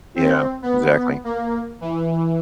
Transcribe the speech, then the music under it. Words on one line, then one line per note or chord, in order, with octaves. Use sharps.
Yeah, exactly.
C4
B3
A#3
E3